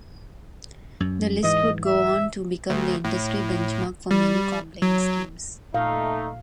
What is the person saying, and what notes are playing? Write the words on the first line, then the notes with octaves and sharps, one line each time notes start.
This list would go on to become the industry benchmark for many compliance schemes.
F#2
G#2 E3 D#5
E5
D2
A2
G3
F#3
A#2 A3 D#4 F5